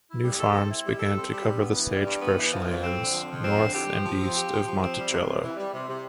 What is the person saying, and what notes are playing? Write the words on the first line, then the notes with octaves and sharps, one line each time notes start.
New farms began to cover the sagebrush lands north and east of Monticello.
E4
G3
A4
C4
E4
G3
A4
C4
G3
G2
B3
E3
G3
G2
B3
E3
F3
F2
C4
D3
F3
F2
C4
D3
G4
F3
F3
C4
G4
F3
F3
C4
G3
C3
C3
E3
G3
C3
C3